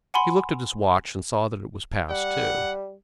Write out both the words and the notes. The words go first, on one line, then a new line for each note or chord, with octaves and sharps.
He looked at his watch and saw that it was past two.
F#5 G#5 B5 C6
G3 F#5